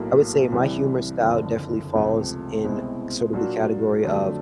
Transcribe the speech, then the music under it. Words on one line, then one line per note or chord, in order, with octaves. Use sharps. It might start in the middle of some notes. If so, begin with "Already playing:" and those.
I would say my humor style definitely falls in sort of the category of
Already playing: B1 A2 F#3 A#3
C2 C3 E3 G3
F#1 F2 D3
C#2 C3 F3 A3
C2 B2 G#3 C4 E4
A#2 F#3 A#3 D4 F#4
F2 D3 F#3 A3 D4